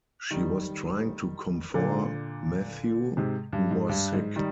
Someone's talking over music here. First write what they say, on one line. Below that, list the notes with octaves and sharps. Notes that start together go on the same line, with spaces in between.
She was trying to comfort Mathieu, who was sick.
D#3 G3
A#2 D3
G#2 C3
G2
G#2
G2
G#2
D#3 G3